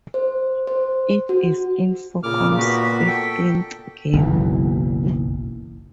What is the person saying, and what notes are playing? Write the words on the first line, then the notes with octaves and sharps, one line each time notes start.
It is Infocom's fifteenth game.
C5
C5
F#4
A#2 C#3 D6 F6
B3 F#4 B6
A4 G5
F#1 B1 E3